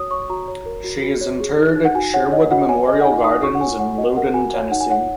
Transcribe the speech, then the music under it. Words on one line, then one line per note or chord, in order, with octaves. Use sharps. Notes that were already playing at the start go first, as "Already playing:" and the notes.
She is interred at Sherwood Memorial Gardens, in Loudon, Tennessee.
Already playing: F#4 C#5 D#6
C#5 C#6
F#4 A#5
C#5
A#4
F#4
F#4
C#5
G#4
D#4
D#4
F#5
F#4 G#5
C#5 F#5
C#5 D#5
F#4 F#5
C#5 G#5
G#4 D#5
F#5
D#4 G#5
D#4 D#6
F#4 C#6
F#5
C#5 G#5
C#5 F#5
F#4 D#5
A#4 F#5
F#4 G#5
C#5
D#4 F#5
G#5
C#5 F#5